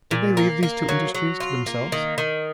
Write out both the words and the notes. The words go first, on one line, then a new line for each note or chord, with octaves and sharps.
Did they leave these two industries to themselves?
A#2
A#3
A#3
F#3
F#3
F4
A#3
D#3
D#3